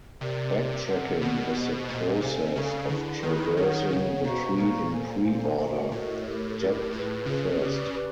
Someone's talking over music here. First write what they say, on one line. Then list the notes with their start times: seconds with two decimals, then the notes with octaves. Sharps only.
Backtracking is the process of traversing the tree in preorder, depth first.
0.21 C3 G4 A#4 D5
0.54 G4 A#4 D5
0.88 A#4 D5 F#5
1.21 B2 A#4 D5 F#5
1.55 G4 C5 D#5
1.89 A#2 G4 C5 D#5
2.22 C3 A4 D5 F5 G#5
2.56 C#3 A4 D5 F5 G#5
2.89 D3 E4 G#4 B4
3.22 D#3 E4 G#4 B4
3.56 D#3 G#4 C#5 F#5
3.90 C#3 G#4 C#5 F#5
4.24 B2 C5 F5 A#5 C#6
4.57 A#2 C5 F5 A#5 C#6
4.91 A4 C5 F5 G#5
5.24 A4 C5 F5 G#5
5.57 A#2 F#4 A#4 D#5
5.91 A2 F#4 A#4 D#5
6.25 E4 G4 A#4
6.59 E4 G4 A#4
6.92 A2 F4 G#4 B4
7.26 C#3 F4 G#4 B4
7.59 G4 B4 D5
7.93 G4 B4 D5